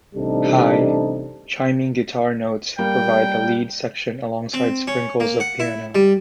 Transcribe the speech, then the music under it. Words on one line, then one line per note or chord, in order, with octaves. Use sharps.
High, chiming guitar notes provide a lead section alongside sprinkles of piano.
A1 C3 G3 D4 D#4 A4
G3 A#3 G5
C4
C#4
A#3
F#5
E4
G3